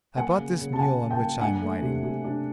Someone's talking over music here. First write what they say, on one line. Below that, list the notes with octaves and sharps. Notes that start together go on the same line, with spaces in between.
'I bought this mule on which I am riding.'
A#3 F#5 G#5
C#3
C#3
A5
C#3 F#5 G#5
C#3
G5 A5
A#3
D4 F#5 G#5
A3
C3
C3
D4